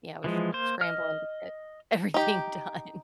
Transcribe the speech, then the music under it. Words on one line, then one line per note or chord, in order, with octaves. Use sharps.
you know, s scrambling to get everything done.
E3 F3 G#3
A#3 C5
D#5 F6
D#4 G4